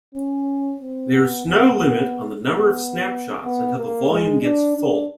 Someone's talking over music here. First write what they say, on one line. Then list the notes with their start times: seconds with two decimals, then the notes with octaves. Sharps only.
There is no limit on the number of snapshots until the volume gets full.
0.15 C#4
0.81 C4
1.13 B3
1.46 B3
2.45 B3
3.43 B3
3.77 A#3
4.09 G#3
4.43 D4
4.76 D4